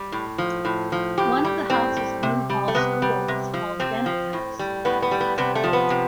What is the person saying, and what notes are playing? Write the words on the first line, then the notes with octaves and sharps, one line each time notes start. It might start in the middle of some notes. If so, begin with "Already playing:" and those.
One the houses of New Hall School is called Dennett House.
Already playing: G3
A2
F3
A2
F3
A2 G4
G3
A2 C4
G3
C3
G3
A3
C3 B3
G3
C3
F3
C3 C4
F3
A2
G3
A2 B3
B3
G3
B3
C3 B3
A3
F3
B3
C3